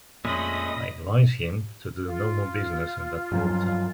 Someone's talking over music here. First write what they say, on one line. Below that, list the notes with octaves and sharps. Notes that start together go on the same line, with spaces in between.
I advise him to do no more business in that quarter.
F2 A#2 G#3 A3 C#4 D#5 B5 D#6
F4
G2 F3 F#3
F4